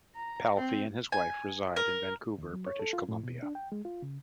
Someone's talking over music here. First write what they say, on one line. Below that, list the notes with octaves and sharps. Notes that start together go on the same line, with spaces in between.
Palffy and his wife reside in Vancouver, British Columbia.
A#5
C4
G#5
A#4
D#2
F#3
C#5
A4
F4
A2
B2
D4
G5
G#3
F4
C#3